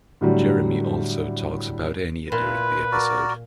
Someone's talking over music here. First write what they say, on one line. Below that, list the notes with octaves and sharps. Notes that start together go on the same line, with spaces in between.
Jeremy also talks about Enya during the episode.
A2 D3 F#3 G3
A#2 E4 F4 B4
F#4 A#4 D5